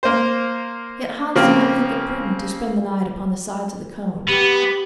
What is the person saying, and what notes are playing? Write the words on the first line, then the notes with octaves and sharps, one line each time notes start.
Yet Hans did not think it prudent to spend the night upon the sides of the cone.
A#3 C5
C#3 F3 A#3 C4
B3 G4